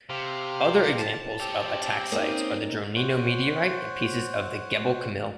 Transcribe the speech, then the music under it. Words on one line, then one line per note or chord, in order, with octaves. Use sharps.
Other examples of ataxites are the Dronino meteorite and pieces of the Gebel Kamil.
C3 G4 C5 F5
A5
C4 G4 C#5
A#3 C#4 D#4 D#6
C5 C#5 F#5